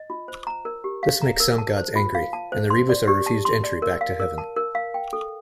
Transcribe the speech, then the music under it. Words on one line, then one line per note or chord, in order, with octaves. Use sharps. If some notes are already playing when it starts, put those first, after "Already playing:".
This makes some gods angry, and the Ribhus are refused entry back to heaven.
Already playing: D#5
F4
C5
A#5
A#4
G4
F5
A#5
A#4
A5
C5
F4
F5
A5
C5
C6
D5
G4
A5
C6
D5
A#4
F5
A#4
A5
A#4
F5
G5
A4